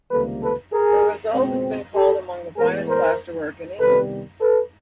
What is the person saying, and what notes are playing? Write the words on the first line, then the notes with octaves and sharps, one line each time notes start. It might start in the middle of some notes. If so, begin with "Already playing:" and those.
The result has been called among the finest plaster-work in England.
C#2 C3 D#3 G3 A#3 A4 B4
A4 B4
G#4 A#4
C#2 B2 G#3 C4
G4 A4
A2 E3 G#3 B3 G#4 A#4
A#4 C5
C2 C3 D#3 G3 B3 A4 B4
A4 B4